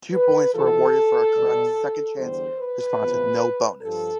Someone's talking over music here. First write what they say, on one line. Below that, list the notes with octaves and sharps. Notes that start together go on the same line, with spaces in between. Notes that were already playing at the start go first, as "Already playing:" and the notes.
Two points were awarded for a correct second-chance response, with no bonus.
B4
E2 C3 F3 A4
B2 G3
E2 D3 G3 C5
B4
E2 C3 F3
G2 F3 A4